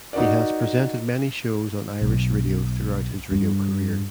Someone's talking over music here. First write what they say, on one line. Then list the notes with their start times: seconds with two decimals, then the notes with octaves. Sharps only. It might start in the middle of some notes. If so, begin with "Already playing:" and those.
He has presented many shows on Irish radio throughout his radio career.
0.13 D#4 F#4 A#4 D5
2.02 B1
3.32 G2